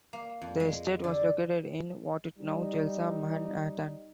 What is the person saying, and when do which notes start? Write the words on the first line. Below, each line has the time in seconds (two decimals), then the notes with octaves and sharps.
The estate was located in what is now Chelsea, Manhattan.
0.13 A#3
0.42 F2
0.60 G#3
1.04 D3
2.38 G3 D#4